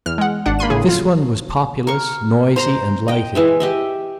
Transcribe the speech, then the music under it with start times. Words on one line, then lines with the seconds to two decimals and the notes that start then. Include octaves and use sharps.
This one was populous, noisy, and lighted.
0.06 E2 F6
0.18 G#3 F#5
0.46 G#1 D4 F#5
0.59 A#3 B5 C6 D#7
0.70 A2 C#3 G#4
0.89 F4
1.87 A#4 C#6
2.56 C5 A#5 C6
3.08 D#5 G5
3.35 E3 G#3 E5
3.60 G4 D#5 E5